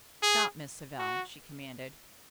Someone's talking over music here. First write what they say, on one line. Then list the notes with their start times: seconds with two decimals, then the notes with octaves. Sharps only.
"Stop, Miss Savell," she commanded.
0.22 G#4
0.99 F#4